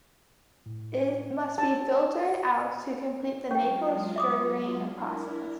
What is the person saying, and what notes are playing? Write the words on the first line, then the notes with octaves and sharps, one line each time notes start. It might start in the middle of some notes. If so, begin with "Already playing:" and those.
It must be filtered out to complete the maple sugaring process.
A2
D4 G4 D5 A5
F#3 G#3 C#4 F4 G5
E5 D6 D#6
D4 E4 A#4